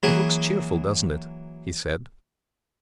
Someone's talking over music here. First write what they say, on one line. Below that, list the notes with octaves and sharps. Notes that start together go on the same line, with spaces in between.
"It looks cheerful, doesn't it?" he said.
E3 F#3 A#3 F#4 G#4